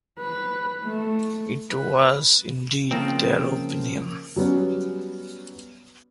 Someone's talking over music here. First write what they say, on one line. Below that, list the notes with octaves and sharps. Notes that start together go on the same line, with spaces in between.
It was, indeed, their opinion.
B4
A3
B4
C#3 F3 A#3 C4
F#3 G3 B3 C#4